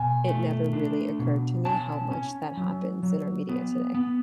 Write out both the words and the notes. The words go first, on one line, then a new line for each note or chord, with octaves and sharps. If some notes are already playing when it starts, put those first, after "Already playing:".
it never really occurred to me how much that happens in our media today.
Already playing: B2 G#5
A3
D4
B2
C#4 A5
C#4
F#3
F#3
B3
B3